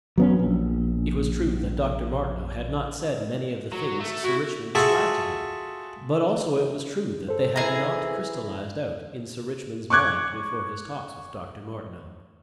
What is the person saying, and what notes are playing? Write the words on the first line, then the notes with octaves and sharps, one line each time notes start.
It was true that Dr. Martineau had not said many of the things Sir Richmond ascribed to him, but also it was true that they had not crystallized out in Sir Richmond's mind before his talks with Dr. Martineau.
F#3 B3 C#4
A#1
F#3
A3
E4 F#4
F4 F#4 G#4 A4 E5
A4 C5
E3 G#4 A#5
C#6 D6 F#6 G#6